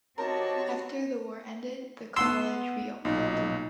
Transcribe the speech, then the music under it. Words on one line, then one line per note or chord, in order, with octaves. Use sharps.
After the war ended, the college reopened.
C4 D#4 F#4 G4 A#4 C5 C#5 A5
B3 F#5 C6 E6 G7
B1 A#2 D#4